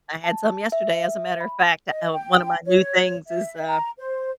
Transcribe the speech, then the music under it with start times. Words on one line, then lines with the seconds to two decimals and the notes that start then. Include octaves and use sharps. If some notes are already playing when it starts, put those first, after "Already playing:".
I had some yesterday, as a matter of fact, uh, one of my new things is, uh,
0.24 A5
0.72 E5
1.40 B5
1.89 D#5
2.13 G5
2.65 C#5
3.27 E5
3.66 A#5
3.99 C5